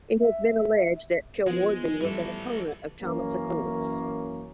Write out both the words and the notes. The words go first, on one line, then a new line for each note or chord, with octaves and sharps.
It has been alleged that Kilwardby was an opponent of Thomas Aquinas.
E5
F3 G#3 B3
E3 G3 A3 E4 A4
F#2 E3 A#3 C#4